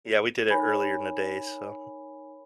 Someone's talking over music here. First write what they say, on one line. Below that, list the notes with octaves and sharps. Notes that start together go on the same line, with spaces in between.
Yeah, we did it earlier in the day, so.
D#4 A#4 C#5 G#5 B5